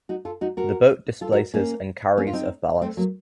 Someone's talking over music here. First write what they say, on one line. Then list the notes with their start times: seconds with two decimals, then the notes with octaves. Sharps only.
The boat displaces and carries of ballast.
0.09 D#4 F#4
0.25 F4 A4
0.41 D#4 F#4
0.57 F#4 A#4
1.21 F4 A4
1.32 F#4 A#4
1.54 A#3 C#4
2.17 A#3 C#4
2.27 F4
2.33 C4 D#4
2.82 A3 C4
2.97 F#3 A#3